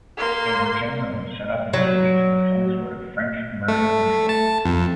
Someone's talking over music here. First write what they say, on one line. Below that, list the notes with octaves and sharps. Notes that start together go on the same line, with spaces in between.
They were generally set up in cities with some sort of French commercial interest.
A#3 C6
F#3
A3
A5
F2